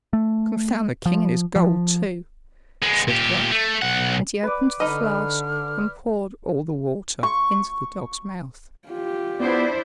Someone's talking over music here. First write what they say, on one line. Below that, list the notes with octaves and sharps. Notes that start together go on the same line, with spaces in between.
"Confound the king and his gold too," said Gluck, and he opened the flask and poured all the water into the dog's mouth.
A3
F3
F3
G#3 B3
A#2 G4
A3
B1 F#5
B4 D5
D3 D#4 B4 D#5 B5 F6
C#6
F4 G4
B3 D4 E4 C5 D5